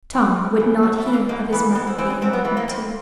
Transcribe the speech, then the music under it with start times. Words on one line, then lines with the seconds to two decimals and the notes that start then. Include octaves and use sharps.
Tom would not hear of his mother being written to.
0.13 E3
0.36 G#2
0.59 E3 F3
0.83 G#2 F#3
0.98 A3
1.06 E3
1.13 A#3
1.29 G#2 A#3
1.52 E3 B3
1.75 G#2 B3
1.87 C4
1.98 E3 C4
2.10 C#4
2.22 G#2 C4
2.33 B3
2.45 E3 B3
2.57 A#3
2.68 F2 C4